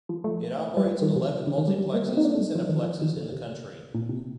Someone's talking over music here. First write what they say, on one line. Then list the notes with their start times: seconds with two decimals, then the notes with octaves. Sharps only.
It operates eleven multiplexes and cineplexes in the country.
0.09 F3
0.24 A3
0.77 G3
0.85 F3
1.02 D#3
1.16 C3
1.47 D3
1.58 D#3
1.68 G3
1.78 G3
1.94 A#3
2.09 C4
2.17 D#4
2.25 D4
2.35 A3
2.40 G3
2.55 F3
2.69 D#3
2.82 F3
3.02 D#3
3.17 D3
3.32 C3
3.94 A#2
4.09 C3